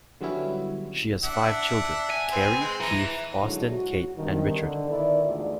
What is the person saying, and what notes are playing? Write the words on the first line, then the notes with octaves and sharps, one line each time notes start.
She has five children: Kerry, Keith, Austen, Kate, and Richard.
D3 F#3 G3 B3 C#4 E4
D4 E5 F#5
G#5
B3 C4
G#3 C4
E3 A#5
G#2 D3 F#3 E4
F#4
G2 C3 D#3
D3
D#3 B3 E4 D5
D2 G#2 E3 F4 D5